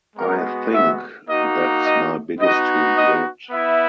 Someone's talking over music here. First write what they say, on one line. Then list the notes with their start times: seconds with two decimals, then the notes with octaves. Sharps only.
I think that’s my biggest regret.
0.16 G#3 B3 F#4 A#4
0.72 E5
1.28 A#3 D#4 F#4 D#5
1.84 D#5
2.39 B3 D#4 F#4 D#5
2.96 D#5
3.51 B3 E4 E5